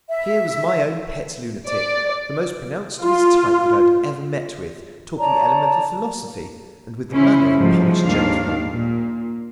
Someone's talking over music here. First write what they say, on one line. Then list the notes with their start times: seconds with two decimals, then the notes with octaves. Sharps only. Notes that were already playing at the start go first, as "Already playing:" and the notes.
Here was my own pet lunatic--the most pronounced of his type that I had ever met with--talking elemental philosophy, and with the manner of a polished gentleman.
0.09 E5
1.68 D5
3.03 F4
5.19 C#5 D5 A5 A#5
7.12 C#3 C#4 E4 C5
7.57 G#2 F3 G3 A3
8.02 D#2 D#3 G#3 D4 F5
8.67 A#2